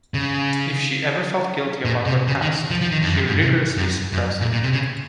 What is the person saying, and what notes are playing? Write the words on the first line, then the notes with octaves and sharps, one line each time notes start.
If she ever felt guilt about her past, she rigorously suppressed it.
C#3
A#2
C3
C#3
D#3
F3
F3
D#3
F2
F#2
G#2
C3
F#2
F#2
A#2
A#2
C3
C#3